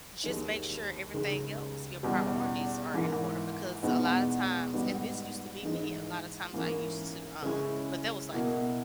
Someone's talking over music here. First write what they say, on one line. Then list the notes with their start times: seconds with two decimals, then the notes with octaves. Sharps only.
just make sure everything else, your priorities are in order because a lotta times and this used to be me, a lotta times I used to, um but that was, like,
0.24 D#2 D#3 G#3 D#4
1.14 C#2 C#3 G#3 D#4
2.03 E2 B2 G3 C#4
2.94 G#2 E3 A#3
3.83 E2 B2 G#3 B3 D#4
4.73 G#2 G3 B3 D#4
5.63 G#2 E3 G#3 D#4
6.53 G#2 E3 A#3 C#4
7.42 C#3 G#3 C#4 E4
8.33 B2 A#3 E4